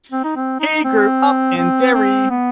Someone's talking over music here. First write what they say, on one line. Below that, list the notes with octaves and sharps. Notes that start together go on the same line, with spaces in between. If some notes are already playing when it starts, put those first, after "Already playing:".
He grew up in Derry.
C4
D#4
C4
D#4
C4
C4
C4
B3